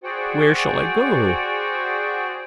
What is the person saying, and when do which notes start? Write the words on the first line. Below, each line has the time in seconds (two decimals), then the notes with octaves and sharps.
Where shall I go?
0.04 F#4 G#4 C5 D5 F#5 G5